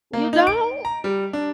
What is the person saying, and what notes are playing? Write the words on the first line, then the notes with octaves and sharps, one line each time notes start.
You don't?
A#3
D#4
D7
A#5
G3
D4